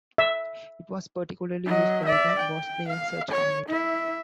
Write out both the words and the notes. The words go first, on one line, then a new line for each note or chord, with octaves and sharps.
It was particularly used by the Bosnian Church community.
E5
F#3 D#5
D5 E5
G5
F5
C#5
E4 E5